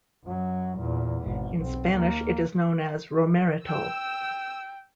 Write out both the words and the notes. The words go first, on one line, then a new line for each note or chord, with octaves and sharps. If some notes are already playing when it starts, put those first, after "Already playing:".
In Spanish it is known as "romerito".
F#2 F#3
E2 A#2
G#1 B2
B1 C4
D#2 A#3
G5 E6